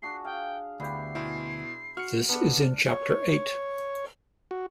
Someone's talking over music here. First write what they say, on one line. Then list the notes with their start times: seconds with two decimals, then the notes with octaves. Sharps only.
This is in Chapter Eight.
0.02 D4 F#4 G#4 C7
0.24 G#4 F5 G5
0.80 D2 B3 E4 G4 C7
1.15 B2 E4 C5 G#5 C6
1.97 F#4 F6 C#7
2.29 B3 D4 D5
2.90 C#5
4.51 F#4